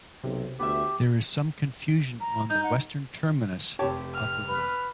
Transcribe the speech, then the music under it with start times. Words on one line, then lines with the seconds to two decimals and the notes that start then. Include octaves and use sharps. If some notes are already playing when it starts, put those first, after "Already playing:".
There is some confusion on the western terminus of the road.
0.23 B1 C3
0.59 D2 B3 G4 E5
2.21 A#5
2.50 D#4 G6
2.63 F#5
3.79 F1 C3 G4 C#5 A5 D6
4.15 F6
4.48 B4